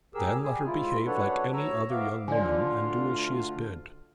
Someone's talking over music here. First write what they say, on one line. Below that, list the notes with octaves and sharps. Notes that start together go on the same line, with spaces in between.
'Then let her behave like any other young woman, and do as she is bid.
A2 G4 G#4 A#4 E6
G3 G4 G#4 G#5
G#2 E4 F4
F#2 D4 A4 B4 C#5 F#5
D2 C#5 A#5 C#6 E6
G#2 B3 E5 F5 D6
D3 F3 F4 D5 G#5
D2